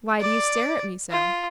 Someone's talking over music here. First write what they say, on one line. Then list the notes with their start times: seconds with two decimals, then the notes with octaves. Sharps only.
'Why do you stare at me so?
0.20 D5
1.11 F4